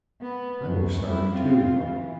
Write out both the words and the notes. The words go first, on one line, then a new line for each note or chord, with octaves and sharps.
I was sorry, too.
B3
F#2
G3 E4
C4 F4
E3